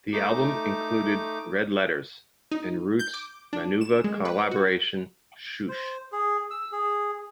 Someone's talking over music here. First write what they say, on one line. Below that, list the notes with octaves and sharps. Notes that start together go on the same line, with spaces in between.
The album included "Red Letters" and Roots Manuva collaboration, "Shhhoosh".
A3 D#4 D6
D#4
G6
D6
D4
E7
G#3
B4
F#4
C5
G#4
E6
G#4